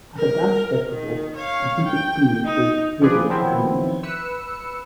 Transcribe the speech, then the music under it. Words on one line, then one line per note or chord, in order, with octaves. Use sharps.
At a dance festival, the Duke experiences various dreams.
A#4
D#3
C#5 F5
G5
D#4
F3 G4 G#4 B4 D5
D#3 F3 F#3 B3 C4 E4
B4 E6 C#7